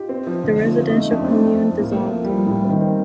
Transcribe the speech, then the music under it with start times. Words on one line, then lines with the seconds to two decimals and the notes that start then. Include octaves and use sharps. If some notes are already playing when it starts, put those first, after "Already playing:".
The residential commune dissolved.
Already playing: D#4 F4 G4
0.09 C4
0.27 F3
0.43 D3 D#4
0.61 A3
0.67 F4
0.77 F2
0.89 D#4
0.95 A3
1.11 F2 D4
1.22 C4
1.28 A3 D4
1.45 F2
1.62 F2
1.79 A2 A#3
1.91 A3 C4
2.01 A#3
2.13 F3
2.25 G3
2.30 F3
2.47 A2 G3
2.64 C4
2.69 D#3
2.81 C4